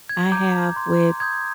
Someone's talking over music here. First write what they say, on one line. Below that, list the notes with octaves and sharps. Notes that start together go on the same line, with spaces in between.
I have with
G#6
A#5 D6 G6
C6 G6
C6 D#6 G6 G#6